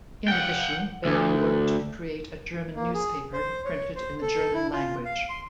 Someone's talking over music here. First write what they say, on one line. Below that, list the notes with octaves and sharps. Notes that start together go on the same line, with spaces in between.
In addition, Barry worked to create a German newspaper printed in the German language.
F#5 G5
D2
A#3
G#4
C5
C#5
C5
A4
E4
F4
F5
C6